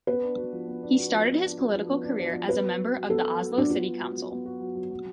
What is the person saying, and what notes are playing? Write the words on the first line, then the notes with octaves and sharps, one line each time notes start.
He started his political career as a member of the Oslo City Council.
B3 B4
D4
F#4
F3
B3
D4
F#4
F3
B3
D4
F#4
F3
B3
D4
F#4
F3
B3 B4
F#4
F#3
F#3
B3 A4
F#4
F#3
F#3 D4
B3 F4
F#4
F#3
F#3
B3
F#4
F#3
F#3
F#3